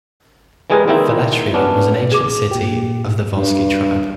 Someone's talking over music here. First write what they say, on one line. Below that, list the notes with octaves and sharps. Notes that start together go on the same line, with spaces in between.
Velletri was an ancient city of the Volsci tribe.
E3 G3 G#3 G#4 A#4 B4
D#3 G3 A#3 C4 D#4 E4
B3 C#4 D4
G#4 D6
A#2 G4
G2